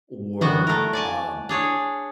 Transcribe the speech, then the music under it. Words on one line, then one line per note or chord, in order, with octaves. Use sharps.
or, um,
D3 E3 G3 B3 F#4
A3 E4 A#4
D5 G#5 A5
D4 G#4 C#5